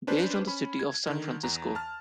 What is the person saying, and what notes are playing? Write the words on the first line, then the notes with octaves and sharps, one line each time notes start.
Based on the city of San Francisco.
C#4 D4 B4 C5
C#4 B5
G#6
D3 D#3
E2 A#5
A5 F6